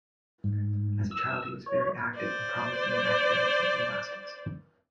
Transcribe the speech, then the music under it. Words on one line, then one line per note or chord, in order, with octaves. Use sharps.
As a child he was very active and promising in academics and gymnastics.
G#2
E6
C#5
C5 D5